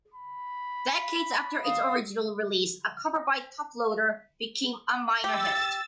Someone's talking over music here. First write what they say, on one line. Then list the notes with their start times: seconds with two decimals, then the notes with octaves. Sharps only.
Decades after its original release, a cover by Toploader became a minor hit.
0.14 B5
1.64 F5 D#6
5.24 G4 E6 A6